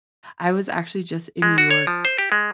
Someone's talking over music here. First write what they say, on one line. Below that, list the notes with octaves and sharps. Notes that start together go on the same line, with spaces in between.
I was actually just in New York,
G#3
F#4
C#5
F3
C5
G4
G#3